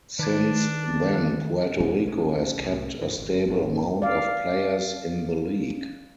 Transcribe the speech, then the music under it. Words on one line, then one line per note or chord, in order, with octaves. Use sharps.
Since then Puerto Rico has kept a stable amount of players in the league.
D#3 D4 B4
B2 G3 G#3 C#4
A#1 A#2 C#4
C2 A2
G2 A#2 E3
G1
G#1
D5 F5